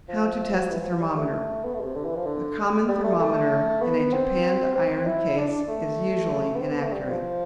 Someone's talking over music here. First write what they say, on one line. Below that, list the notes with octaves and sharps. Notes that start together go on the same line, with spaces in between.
How to Test a Thermometer.--The common thermometer in a japanned iron case is usually inaccurate.
F3
E3
F3
F3
G3
A3
B3
A3
B2
C3
D3
E3
F3
D3
G3
A3
A3
B3
C4
C4
E4
D4
D4
A3
B3
C4
B3
A3
G3
F3